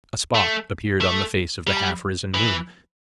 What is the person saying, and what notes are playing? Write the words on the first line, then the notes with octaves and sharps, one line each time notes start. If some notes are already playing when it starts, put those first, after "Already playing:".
A spot appeared on the face of the half-risen moon.
A3
A3
G3
E3